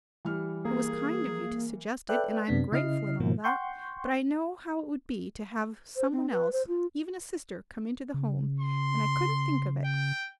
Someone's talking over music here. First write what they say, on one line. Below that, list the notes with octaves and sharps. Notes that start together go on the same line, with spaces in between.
It was kind of you to suggest it, and I am grateful and all that; but I know how it would be to have some one else, even a sister, come into the home, and I couldn't think of it.
E3 G3 F6
A#3 G#4
A4 B4 D5 E5 G5 F#6
F#2 C3 B3 D4 B6
C#3 E4 D#5 F6 C7
G#2 B2 D#3 F3 A#3
F#5 G5 C6 C#6 G6
C5
C4
B4
C5
F4
C#3
C6
G5